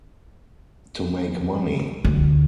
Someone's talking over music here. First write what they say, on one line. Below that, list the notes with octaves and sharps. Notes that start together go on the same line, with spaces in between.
To make money.
D2